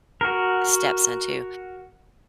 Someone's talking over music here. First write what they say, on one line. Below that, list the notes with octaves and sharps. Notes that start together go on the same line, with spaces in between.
stepson too,
F#4 A#4